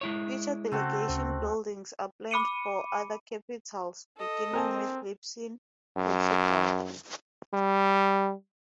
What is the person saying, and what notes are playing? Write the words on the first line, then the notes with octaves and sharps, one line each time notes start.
Future Delegation buildings are planned for other capitals, beginning with Lisbon, Portugal.
G#3 E4 C#5
C#3 A3 C4 C#4 F#4
D2 C5
B5 D6 C#7 D#7
A4 D#5
C4 A#4 G#5 A5
F#2
G3